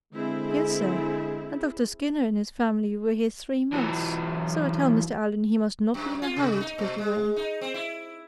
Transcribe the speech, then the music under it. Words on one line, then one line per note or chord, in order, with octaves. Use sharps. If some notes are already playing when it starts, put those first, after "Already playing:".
"Yes, sir--and Dr. Skinner and his family were here three months; so I tell Mr. Allen he must not be in a hurry to get away."
D3 G#3 C4 E4 G#4
E3 F#3
F#2
F4
C3
D#4
A#2
G#3
D#4
C4
E4